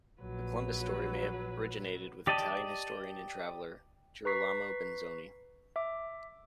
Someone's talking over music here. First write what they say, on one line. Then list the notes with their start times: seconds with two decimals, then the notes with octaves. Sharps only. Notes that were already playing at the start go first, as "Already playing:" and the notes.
The Columbus story may have originated with Italian historian and traveler Girolamo Benzoni.
0.21 A#1 F#3 B4
2.27 G4 D5 D#5 A5
4.25 B4 A#5 C#6 B6 C7
5.76 E5 D6